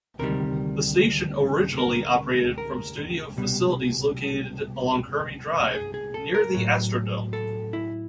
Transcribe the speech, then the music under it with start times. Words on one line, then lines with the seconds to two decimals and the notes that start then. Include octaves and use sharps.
The station originally operated from studio facilities located along Kirby Drive, near the Astrodome.
0.19 D2 C3 D#3 G3 A#4
1.78 A#4
2.58 A#4
3.37 C2 B2 G3
5.75 G#4
5.94 G#4
6.14 A4
6.34 A#4
6.54 A2 F#3
7.33 A4
7.73 E4